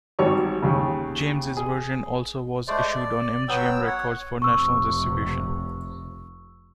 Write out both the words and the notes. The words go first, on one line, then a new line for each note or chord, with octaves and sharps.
James' version also was issued on M-G-M Records for national distribution.
G#1 F#3 G3 C#5 C#6
D#2 C#3
G#4
G#3 A3 C5 D5
D5
F#3 B3 G5 E6
C#5 F#5
F1 C3 C#6 E6